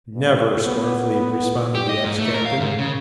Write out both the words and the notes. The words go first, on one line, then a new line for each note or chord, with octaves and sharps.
"Never!" scornfully responded the ex-captain.
G2
B3
B3
G4
D#5
G#2
A3
A#4
F5
G#2
C#3